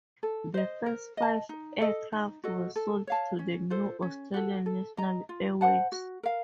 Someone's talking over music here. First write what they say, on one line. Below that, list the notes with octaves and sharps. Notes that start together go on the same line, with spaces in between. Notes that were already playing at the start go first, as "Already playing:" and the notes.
The first five aircraft were sold to the new Australian National Airways.
A4
C5 D#5
A#4
D#5 A5
D#4
A4 D#5
D#4
F#4 A4 D#5
A4
C#5 F5 A5
C#4
F4 A4 C5
C#4
F#4 A4
A4
D#5 A#5
F4
C5 F#5 A5
F#4
A#4 F5